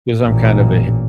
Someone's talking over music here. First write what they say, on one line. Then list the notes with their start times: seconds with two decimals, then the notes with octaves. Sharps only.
'cause I'm kind of a hi
0.24 A1 A#2